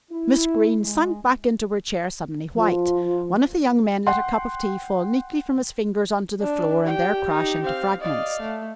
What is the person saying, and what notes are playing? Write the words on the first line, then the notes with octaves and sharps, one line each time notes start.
Miss Greene sank back into her chair, suddenly white. One of the young men let a cup of tea fall neatly from his fingers on to the floor and there crash into fragments.
E4
G#3
F3
F#5 G5 C6
D4
G4 G5
D#4
C4 F5
D5 D#5 F5
A3